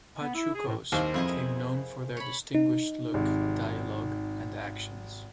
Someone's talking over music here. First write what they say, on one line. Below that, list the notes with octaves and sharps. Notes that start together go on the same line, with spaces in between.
Pachucos became known for their distinguished look, dialogue, and actions.
B3
E4
G#4
A2
D#2 C4 A#4
F2 E4 G#4 D#5
C#5 B5
D#4
G#1 C3